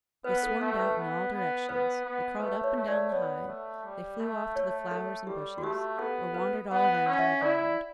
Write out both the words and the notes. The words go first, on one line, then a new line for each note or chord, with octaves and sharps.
They swarmed out in all directions; they crawled up and down the hive; they flew off to the flowers and bushes, or wandered all around on the ground.
B3 B4
A4
A3 A4
B4
B3
B3
B3 B4
B3
A3 B4
C#5
A3
D5
B3 C#5
A3
G3
A3
A3 C#5
A4
G3 G4
F#4
A3 G4
B3 A4
B4
B3 F#5
F#5
C#4
F#5
E5
E4 D5